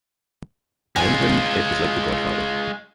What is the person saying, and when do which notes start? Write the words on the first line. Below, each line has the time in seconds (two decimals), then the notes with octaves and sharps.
Around him it was like "The Godfather".
0.96 G#3 F4 G#5